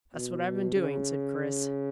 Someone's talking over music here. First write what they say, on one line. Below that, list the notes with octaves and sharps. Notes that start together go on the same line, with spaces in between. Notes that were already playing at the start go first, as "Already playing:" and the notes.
"That's what I've been doing," said Chris.
B2
C#3